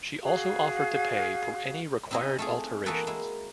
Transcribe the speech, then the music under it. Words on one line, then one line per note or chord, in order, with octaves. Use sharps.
She also offered to pay for any required alterations.
F#4 G#4 F5
C4 D#4 E4 G#4 D#5
A3 F4 G#4
E3 A#3 F#4 G#4 A4 B4
G#3 A#3 E4